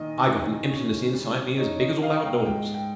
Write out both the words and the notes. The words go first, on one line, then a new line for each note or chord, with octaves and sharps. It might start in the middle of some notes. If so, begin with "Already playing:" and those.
I got an emptiness inside me as big as all outdoors.
Already playing: A#2 D#3 D#5
D#3
C#4
G3
D#4 C#5
D#5
D#4 F5
G5
G#2 G5
G5